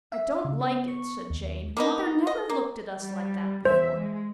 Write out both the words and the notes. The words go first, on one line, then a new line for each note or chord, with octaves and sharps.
'I don't like it,' said Jane. 'Mother never looked at us like that before.
E5
C#3
B3
C#6
D#2
A#3 B3 D#4
D#5
A#3
G3
E2 C5 E5
G#3